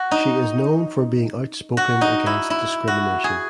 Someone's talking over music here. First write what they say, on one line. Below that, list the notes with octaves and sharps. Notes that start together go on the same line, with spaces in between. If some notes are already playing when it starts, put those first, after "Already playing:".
She is known for being outspoken against discrimination.
Already playing: F#4
D#4
F#4
D#4
E4
E4
F#4
G#4